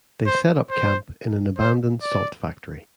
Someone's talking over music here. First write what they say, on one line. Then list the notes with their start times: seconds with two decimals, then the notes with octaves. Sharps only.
They set up camp in an abandoned salt factory.
0.26 C5
0.70 C5
1.58 C5
2.02 D5